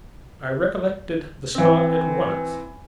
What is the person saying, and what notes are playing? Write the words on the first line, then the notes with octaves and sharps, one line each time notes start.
I recollected the spot at once.
E3 C4